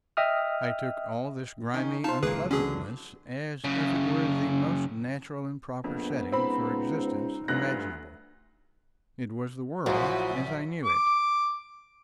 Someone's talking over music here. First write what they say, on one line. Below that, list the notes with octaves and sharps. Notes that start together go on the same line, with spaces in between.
I took all this grimy unpleasantness as if it were the most natural and proper setting for existence imaginable. It was the world as I knew it.
D#5 E5 G5 D#6 F6
D#3 C#4 D#4
D#4 F4 C5 A5
C#2 A#2 E3 A#3 G#4 B4
D3 F#3 C#4 G#4
F#2 C#3
A#1 F2 B3
C#2 C4 D#4 B5
D2 G2 F3 F#6 A#6
A#1 F#2 F3 E4 F#4
D6